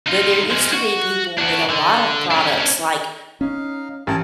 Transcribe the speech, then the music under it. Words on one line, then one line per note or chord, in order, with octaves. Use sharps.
but there used to be people with a lot of products, like,
D#4 F4
F3 G#3
F#4
D4 F#4
D3
C#4 D4
C#4 D#4 F5
A1 A#4 G#5 A5